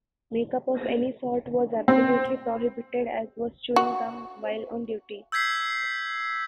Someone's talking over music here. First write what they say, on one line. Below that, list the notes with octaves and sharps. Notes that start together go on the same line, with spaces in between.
Makeup of any sort was absolutely prohibited, as was chewing gum while on duty.
C4
F#4
E6 G6 G#6 B6 C7